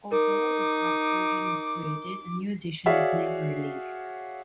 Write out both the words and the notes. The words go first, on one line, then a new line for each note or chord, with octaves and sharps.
Although a draft version was created, a new edition was never released.
D#4 A#4 D6
F#4 G#4 C#5 D5 E5 F5